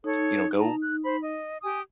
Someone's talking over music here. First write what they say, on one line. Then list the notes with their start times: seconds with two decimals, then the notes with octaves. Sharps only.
You know, go
0.04 D#4 A4 C#5
0.59 A5 A#5
0.82 F#6
1.04 C5 B5
1.23 D#5
1.63 G4 G#5 D#6